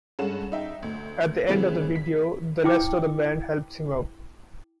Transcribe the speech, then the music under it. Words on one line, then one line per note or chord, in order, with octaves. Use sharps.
At the end of the video, the rest of the band helps him up.
G2 G#3 C#4 A4 F#5 E7
D#4 E5 G5
D2
C#3 E3 G3 A3 B3 C4
B6
E4 G5 D6